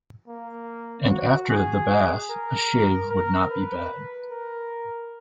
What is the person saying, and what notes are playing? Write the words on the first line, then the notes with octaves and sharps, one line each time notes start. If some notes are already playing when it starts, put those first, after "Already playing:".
And after the bath a shave would not be bad.
A#3
F#4
G#4
A#4
A#4
B4
A#4